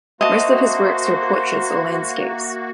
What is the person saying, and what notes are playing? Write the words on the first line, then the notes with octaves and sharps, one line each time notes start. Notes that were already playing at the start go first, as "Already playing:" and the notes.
Most of his works were portraits or landscapes.
A#3 F#4 C5 D#5 E5 A5